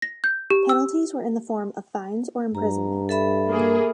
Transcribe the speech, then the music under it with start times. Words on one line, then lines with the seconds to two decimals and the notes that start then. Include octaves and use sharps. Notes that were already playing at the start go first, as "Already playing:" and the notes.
Penalties were in the form of fines or imprisonment.
0.02 A#6
0.24 G6
0.50 G4
0.69 E6
2.55 G2 A#5
3.09 A4 E5 B5
3.49 A#3 G#4